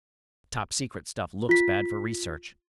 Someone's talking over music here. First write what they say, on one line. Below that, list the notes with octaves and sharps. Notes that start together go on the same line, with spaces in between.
The topsecret stuff looks bad for research.
F4 B6